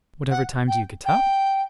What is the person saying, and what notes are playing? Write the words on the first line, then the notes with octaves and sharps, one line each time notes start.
"Whatever time do you get up?"
F#5
G5
G5